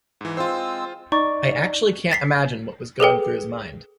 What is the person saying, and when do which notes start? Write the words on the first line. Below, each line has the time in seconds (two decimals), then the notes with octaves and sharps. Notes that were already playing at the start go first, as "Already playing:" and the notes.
I actually can't imagine what was going through his mind.
0.21 G#2 E3
0.37 G#3 C4 F4 C5 E6
1.12 D#4 D5 C#6 A6
2.11 A6 B6 C7
3.00 G#4 A4 B4 G5